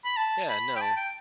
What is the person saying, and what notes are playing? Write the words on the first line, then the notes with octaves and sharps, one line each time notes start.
Yeah. No.
B5
A5
B5
G5
A5
G5